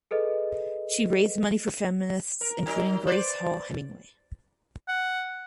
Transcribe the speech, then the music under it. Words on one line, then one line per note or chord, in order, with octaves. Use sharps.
She raised money for feminists including Grace Hall Hemingway.
G#4 A4 B4 D#5
A#4
F#3 D#4 A#4
B4 C5 D5
F#5